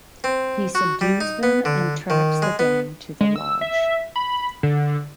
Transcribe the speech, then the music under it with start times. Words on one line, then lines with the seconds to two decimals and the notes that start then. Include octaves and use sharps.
He subdues them and tracks the gang to the lodge.
0.24 C4
0.75 F#4
1.01 G3
1.21 D#4
1.43 B3
1.65 D3
2.10 D#3
2.42 G#3
2.59 B3
3.21 G#3
3.36 E6
3.61 E5
4.16 B5
4.63 D3